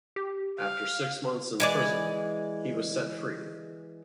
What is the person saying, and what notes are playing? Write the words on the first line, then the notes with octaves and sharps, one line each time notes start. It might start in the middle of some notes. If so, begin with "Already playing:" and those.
After six months in prison, he was set free.
G4
F5
E3 G#3 D5